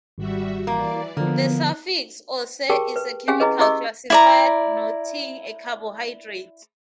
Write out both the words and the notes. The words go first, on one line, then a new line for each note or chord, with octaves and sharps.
The suffix "-ose" is a chemical classifier, denoting a carbohydrate.
G#1 G3 F#4 E5
E3 A#3 D5
D3 F3 A#3 B3
G4 G#4 A#4 G5 A5
B4
C#4 G4 G#4 F5 G#5
E4 G#4 B4 D#5
E4 G4 G#4 D#5 D6 E6
E4 D5 A#5